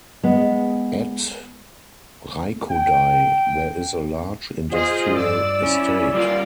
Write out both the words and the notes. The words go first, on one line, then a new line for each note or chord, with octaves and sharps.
At Raikodai there is a large industrial estate.
G#3 B3
G5
F4 G#4 C5 D#5
G2 D5 E6
C#4 E4
G3 A#3 F4 D5